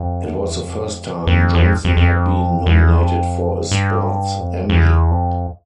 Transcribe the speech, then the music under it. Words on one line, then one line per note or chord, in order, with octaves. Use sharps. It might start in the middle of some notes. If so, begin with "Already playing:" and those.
It was the first time Johnson had been nominated for a Sports Emmy.
Already playing: F2
F#2
F2
E2
F2
F2
E2
F2
F2
F2
E2
F2
G2
F2
F2
E2
F2